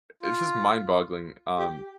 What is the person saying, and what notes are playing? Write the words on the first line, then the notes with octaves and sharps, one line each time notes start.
it's just mind-boggling, um,
F4
G4